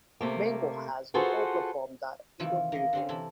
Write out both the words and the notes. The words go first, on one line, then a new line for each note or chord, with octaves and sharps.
Menko has been popular from the Edo period.
C3 A3 A#3
F4 F#4 G#4 A4 B4 C5
C3 D#3 E3 E4 F4
A#3 D#5
D3 C4 C#4
C3 E3 A4 B5